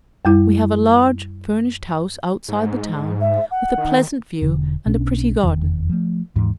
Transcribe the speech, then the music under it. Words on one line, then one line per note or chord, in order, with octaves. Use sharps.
We have a large furnished house outside the town, with a pleasant view and a pretty garden.
F#2 G3 E4
G#2
E5
F#5
D#3
E1 D3
B1 B2 C#4 D4
F1 E2 D#3
F3 A3
D#2 G#2 E3